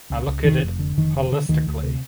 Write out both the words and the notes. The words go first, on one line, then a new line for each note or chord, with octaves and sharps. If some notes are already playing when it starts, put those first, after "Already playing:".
I look at it holistically.
C#2
C#2
F1 D#3
F1
D3
F1 D#3
D3
D3
D2 D#3
D2
C3